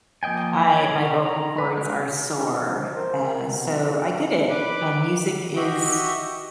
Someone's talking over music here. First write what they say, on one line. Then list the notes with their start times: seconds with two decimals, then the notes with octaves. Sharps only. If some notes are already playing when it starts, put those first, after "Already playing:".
I my vocal cords are sore. Uh, so, I get it, uh, music is
0.23 F3 A#3 D#5 G5 G#5
0.75 C#5
1.26 A#5
1.58 B4
1.77 G#3 F#4
2.35 D#3 B3 C4 D4 D#4 F4
2.64 F3
2.95 A#4 C5
3.45 B2
3.77 C#2 A2 F3
4.48 B4 D6
5.56 F#4 G4 D#5 E5